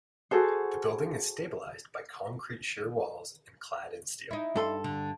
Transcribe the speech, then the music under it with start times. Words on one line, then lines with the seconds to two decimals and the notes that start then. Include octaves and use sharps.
The building is stabilised by concrete shear walls and clad in steel.
0.31 F#4 G#4 A4 C5
4.31 D#4 E4
4.56 G2 A4 C6
4.84 D3